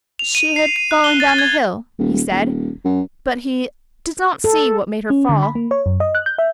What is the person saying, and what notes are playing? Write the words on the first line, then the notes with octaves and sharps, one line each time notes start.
"She had fallen down the hill," he said, "but he did not see what made her fall."
F7
D#7
C7
D#7
F#6
G7
A6
G#6
D#1
D#1
F#2
A4
C#4
D3
B5
A#3
C#5
F#2
D#5
F#6
G6
E5